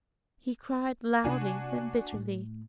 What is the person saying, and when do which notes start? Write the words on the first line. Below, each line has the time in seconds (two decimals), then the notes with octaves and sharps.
He cried loudly and bitterly.
1.24 C3 A#3 D4 F#4 G#5
2.13 A2 A3